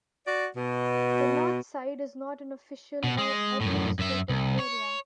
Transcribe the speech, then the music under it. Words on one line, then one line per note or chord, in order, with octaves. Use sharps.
The Northside is not an official or administrative area.
F#4 D5
B2
B2
G#3
F#2 A2
F#2 E5
C2
C#5